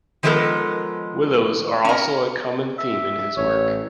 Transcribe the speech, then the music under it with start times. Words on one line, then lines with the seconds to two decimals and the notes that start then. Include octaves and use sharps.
Willows are also a common theme in his work.
0.23 D#3 F3 G#3 B3 A4 A#4
1.85 C#4 A#4
2.79 E5
3.38 A1 C#5